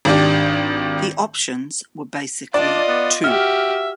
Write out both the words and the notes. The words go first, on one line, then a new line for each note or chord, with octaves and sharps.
The options were basically two.
G#1 D#3 D4 G4
D4 F4 D5 D#5
B3
F#4 G4 E5 F6